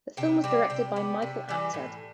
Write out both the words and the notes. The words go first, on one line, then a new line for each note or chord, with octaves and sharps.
The film was directed by Michael Apted.
C3 G5
G3 C4
C3 G5
G3 B3
C3
E3 G3
A2